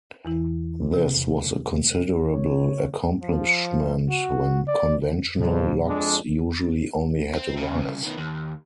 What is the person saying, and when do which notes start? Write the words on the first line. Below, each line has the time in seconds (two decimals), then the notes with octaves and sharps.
This was a considerable accomplishment when conventional locks usually only had a rise.
0.25 E2 E3 E4
0.93 C3
2.32 C#5
3.21 F3
4.09 F#4
4.67 D5
5.39 F2 A#2 C#3 F#3
5.87 F2 G#3 D4
7.35 C4
7.57 C2 C#3
8.02 D#3 B3
8.18 D#2